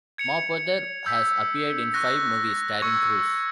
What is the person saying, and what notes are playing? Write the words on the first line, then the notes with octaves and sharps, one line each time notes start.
Mapother has appeared in five movies starring Cruise.
G#6 C#7 F7
E6 G6 B6
C#6 F#6 A#6
C#6 E6 G#6 C#7